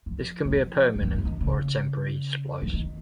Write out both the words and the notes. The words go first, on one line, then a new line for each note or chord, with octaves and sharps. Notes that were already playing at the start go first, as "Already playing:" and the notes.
This can be a permanent or temporary splice.
F3
D#3
F3
D#3
F3
D#3
F3
D#3
C#3
F3
D#3